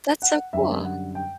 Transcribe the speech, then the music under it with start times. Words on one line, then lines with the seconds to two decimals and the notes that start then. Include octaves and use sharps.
That's so cool.
0.22 F#5
0.53 F#2 D3 G3 E5
0.84 F#5
1.15 G5